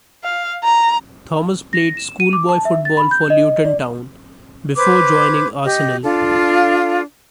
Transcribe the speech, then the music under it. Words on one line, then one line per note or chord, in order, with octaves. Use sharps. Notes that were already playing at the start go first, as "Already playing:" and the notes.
Thomas played schoolboy football for Luton Town, before joining Arsenal.
F5
A#5
A#6
E7
D#7
D6
A5
E5
A6
B5
G6
D#5
D5
B4 C5 D6 G#6
G4 D#5
D4 F4 A4 F5